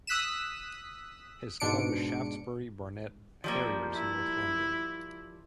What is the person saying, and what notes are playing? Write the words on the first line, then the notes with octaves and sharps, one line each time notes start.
His club is Shaftesbury Barnet Harriers in North London.
D#6 E6 F#6 B6 D#7 E7
G#2 B2 D4 C#7 D7
F3 G3 A#3
E4